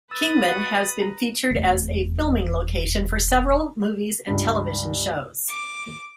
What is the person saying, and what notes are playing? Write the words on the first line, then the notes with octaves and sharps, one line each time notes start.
Kingman has been featured as a filming location for several movies and television shows.
B4 D#6 E6 A6
F#4 D#5 F#5
A#5
F1 E2
C#2 G2
D6